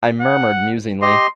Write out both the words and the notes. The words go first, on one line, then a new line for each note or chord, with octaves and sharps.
I murmured musingly.
F#5
G4 D#5 C6